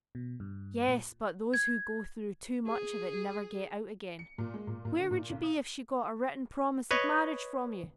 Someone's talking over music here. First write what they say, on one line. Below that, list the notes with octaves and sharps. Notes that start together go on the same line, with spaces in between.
"Yes; but those who go through too much of it never get out again. Where would you be if she got a written promise of marriage from you?"
B2
G2
A#2
G#6
G#4
C#7
A#2
G#3
A#2
A#2
D3
A#2
B1
D#6
B4 C#5 D#5